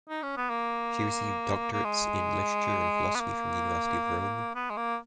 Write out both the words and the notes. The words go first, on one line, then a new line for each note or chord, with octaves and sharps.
She received doctorates in literature and philosophy from the University of Rome.
D#4
C#4
B3
A#3
A#3
G#3
B3
A#3
B3
G#3
A#3